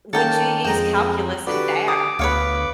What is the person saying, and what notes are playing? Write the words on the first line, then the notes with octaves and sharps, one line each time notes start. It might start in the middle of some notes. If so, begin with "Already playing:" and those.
would you use calculus in there?
D#3 A#3 C#4 A4 G5 A5
F2 G#3 G5 A#5
D3 F#4 G4 B4 D5
D6 D#6
D2 B3 B4 C#5 F5